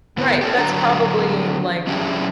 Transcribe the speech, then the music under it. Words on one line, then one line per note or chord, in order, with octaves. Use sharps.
Right, that's probably, like,
D3 B3 E4 B4
G4 A4 C#5
D3 F#3 D4 A#5
F#3 C#4 D4 E4 G4 G#4